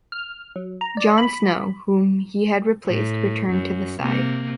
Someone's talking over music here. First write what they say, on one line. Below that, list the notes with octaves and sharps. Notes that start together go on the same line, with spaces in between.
John Snow, whom he had replaced, returned to the side.
F6
F#3
A#5
D5
B5
A2
F#2
C3 A#3